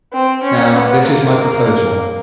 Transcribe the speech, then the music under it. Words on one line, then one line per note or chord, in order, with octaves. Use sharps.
Now, this is my proposal.
C4
C#4
B3
A#3